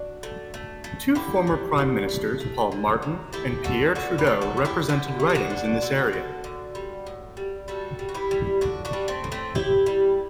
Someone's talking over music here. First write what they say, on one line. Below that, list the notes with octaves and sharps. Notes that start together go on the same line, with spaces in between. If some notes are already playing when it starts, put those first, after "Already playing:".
Two former Prime Ministers, Paul Martin and Pierre Trudeau, represented ridings in this area.
Already playing: D4 F#4
A3
A3
A3
D3 E4 G4
A3
D3
A3
A3
D3
F#3
A3 E4 G4
D3 F#4 A4
D3 F#4 A4
G4 B4
A3
F#4 A4
D3
E4 G4
D3 E4 G4
A3
E4
D4 F#4
D3
D3 F#4 A4
D3
D3
G3
A2
G3
G3 F#4 A4
G3
F#4
E4 G4
G3
A2 D4 F#4
D4 F#4
G3
A3 C4
A2
A3 C4
A2 E4 G4
G3